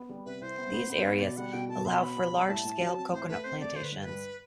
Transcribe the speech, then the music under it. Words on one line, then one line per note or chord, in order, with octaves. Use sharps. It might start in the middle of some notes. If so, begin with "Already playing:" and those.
These areas allow for large scale coconut plantations.
Already playing: B3
G3
C3 B4
C2 C5
B3
B3
B3
B3
C5
B2 D5
G3 F#5
B2 G5
B2 A5
B2 C6
B3 B5
B2
G3
A2 A5
A2
F#3
C4
A2 C5
A3 B4
C4 C5
A3 D5
D3 C5
B4
G2
B4
G2